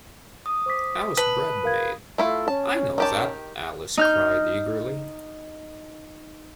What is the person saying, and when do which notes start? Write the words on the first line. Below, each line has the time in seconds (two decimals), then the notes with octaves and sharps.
How is bread made? ‘I know that!’ Alice cried eagerly.
0.46 D#6
0.66 C5 D6 B6
1.17 B4 A5
1.64 A#4 F5 G#6
2.18 A3 E4 F4 A4
2.48 C#4 A5
2.98 D#3 G4 A5
3.97 D#4 F6 G6